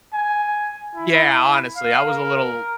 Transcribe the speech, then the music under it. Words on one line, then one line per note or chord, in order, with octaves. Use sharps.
Yeah, honestly, I was a little
G#5
E4
F5
A#4